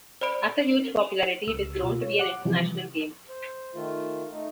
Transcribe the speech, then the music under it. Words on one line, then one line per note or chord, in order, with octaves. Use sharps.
After huge popularity it has grown to be an international game.
C5 D5 B5 D7
C#2 E6
B2 F4
C#5
F#5 D6
C3 E3 F3 G3
C5
D#3 A3 F4
A3 D#4